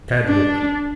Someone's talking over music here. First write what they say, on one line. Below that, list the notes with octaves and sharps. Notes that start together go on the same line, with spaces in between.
Tad looked.
D4